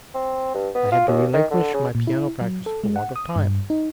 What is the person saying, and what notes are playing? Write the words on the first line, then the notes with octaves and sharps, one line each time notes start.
I had to relinquish my piano practice for want of time.
C4
G2
B3
F4
D#2
D#3
D3
C#3
A#2
E4
F#3
A4
G#3
F#5
D#6
G2
D#4